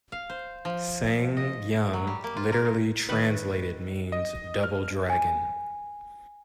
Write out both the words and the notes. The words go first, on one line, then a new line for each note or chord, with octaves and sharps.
"SsangYong", literally translated, means "Double Dragon".
F5
C5
F3
D#5
F#3
G3
A#3
F4
A#4
A#2
D#3 B4
D#5
F6
G#5